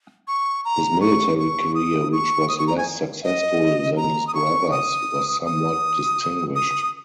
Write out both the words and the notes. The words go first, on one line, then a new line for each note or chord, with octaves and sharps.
His military career, which was less successful than his brother's, was somewhat distinguished.
C#6
A#5
C#6
C#6
D#6
C#6
D#6
C#6
A#5
G#5
D#5
A#5
D#6
C#6
D#6
D#6
D#6